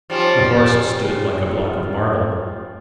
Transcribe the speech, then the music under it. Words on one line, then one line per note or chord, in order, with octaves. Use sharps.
The horse stood like a block of marble.
F3 G3 C#4